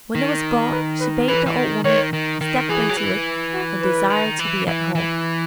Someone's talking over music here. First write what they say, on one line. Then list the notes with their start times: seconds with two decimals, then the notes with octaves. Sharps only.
When it was brought she bade the old woman step into it and desire to be at home.
0.15 D#3
0.72 B4
1.00 B4
1.28 E3 B4
1.46 E3
1.56 D#3
1.84 D#3 C#5
2.13 D#3
2.41 D#3
2.69 E3 G#4
2.89 F#3
2.97 E3
3.53 F#4
3.82 B4
4.10 D#3
4.39 E3
4.67 E3
4.95 E3